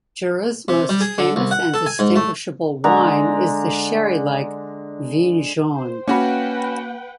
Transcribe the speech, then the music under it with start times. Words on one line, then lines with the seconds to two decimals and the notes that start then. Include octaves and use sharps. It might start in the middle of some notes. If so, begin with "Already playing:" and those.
Jura's most famous and distinguishable wine is the sherry-like "vin jaune".
0.68 C3
0.89 G3
1.01 G#4
1.18 D3
1.36 C2
1.51 F#5
1.74 A4
1.86 G#5
1.99 G#2
2.16 A3
2.84 D3 G#3 A#5
5.74 C5
6.08 A#3 C#4 F#4 B4 F#5 G5 B5